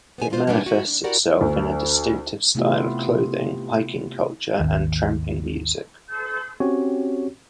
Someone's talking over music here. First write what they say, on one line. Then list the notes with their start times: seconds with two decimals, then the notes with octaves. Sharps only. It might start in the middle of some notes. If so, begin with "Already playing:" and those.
It manifests itself in a distinctive style of clothing, hiking culture and tramping music.
0.18 B3 C5 G#5
0.30 G#3 A#3 D4 F4 C5 D5
0.47 G3 G#3 A#3 B3 C#4 D4
0.66 F#4 E5
0.85 D4
1.04 E4 F#4 G4 A#4 D5 F#5
1.41 D2
2.55 C3 A3 B3 E4 F4 G4
4.60 G#1 D#2
6.60 C4 C#4 F#4 G4 C#5